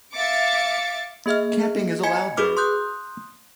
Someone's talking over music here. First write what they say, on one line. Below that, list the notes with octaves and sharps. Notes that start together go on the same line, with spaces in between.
Camping is allowed there.
E5 F5 D6 A6 C#7
A#3 G#4 D#5 E5 F6
F#4 D#5 G#5 G#6 C#7
F#4 G#4 B4 D6 F6
C6 D#6 F#6 G6